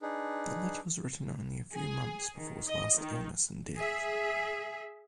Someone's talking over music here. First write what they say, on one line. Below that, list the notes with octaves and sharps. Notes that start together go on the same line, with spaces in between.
The letter was written only a few months before his last illness and death.
D4 D#4 G#4 B4
G#4
D#3
D#5
D#3
G#4 E5